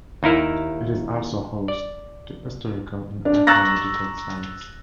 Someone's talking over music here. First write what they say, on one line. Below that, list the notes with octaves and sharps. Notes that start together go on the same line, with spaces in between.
It is also host to historical and archaeological sites.
D#2 D#4 E4 A#4 E5
D5
D4
A#5 C#6 E6 F#6 A6 A#6